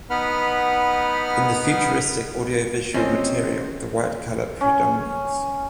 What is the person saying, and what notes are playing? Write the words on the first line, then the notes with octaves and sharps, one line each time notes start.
In the futuristic audiovisual material the white color predominates.
B3 D#4 B4 F#5 B5 F6
F2 C3 C4 C#4 C5 C#5 D#5
C#4